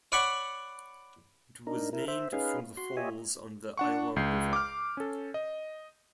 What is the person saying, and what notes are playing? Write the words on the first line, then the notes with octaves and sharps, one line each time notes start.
It was named from the falls on the Iowa River.
C#5 D5 F#5 B5 C#6
D4 D#4 A#4
E4 A#4
C5 E5
C#4 D#4 G#4 B4 F5
F#4 C6
F4 G4 C#5 D#5 E5 G#5
D4 F#5 C#6
C#2 G6 C7
D6 F6
C#4 A4
D#5